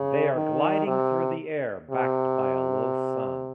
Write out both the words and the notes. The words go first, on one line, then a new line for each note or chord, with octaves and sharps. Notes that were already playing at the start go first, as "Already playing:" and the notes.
They are gliding through the air, backed by a low sun.
Already playing: C#3
D#3
C3
C3